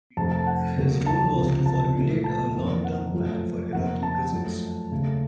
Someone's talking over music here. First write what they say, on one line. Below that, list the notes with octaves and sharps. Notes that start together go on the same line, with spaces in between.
His role was to formulate a long term plan for Iraqi prisons.
F2 C3 D#3 A3 A5
A5
F#5
D#2 C#3 F#3 A#3
A5
C#2 C3 F3
A5
A#2 F3 A3
A5
F2 D#3 A#3
F#5
F#2 F3 A3
F2 D#3 A#3 F#5
A5
F#2 F3 A3
D#2 C#3 A3